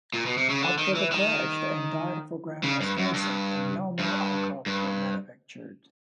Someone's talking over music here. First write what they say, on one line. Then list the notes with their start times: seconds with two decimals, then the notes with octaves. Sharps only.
After the crash the entire program was cancelled and no more aircraft were manufactured.
0.14 A#2
0.26 B2
0.38 C3
0.49 C#3
0.62 D3
0.78 D#3
0.95 E3
1.12 D#3
2.64 C#3
2.81 G2
2.98 F#2
3.14 G2
3.99 G2
4.66 G2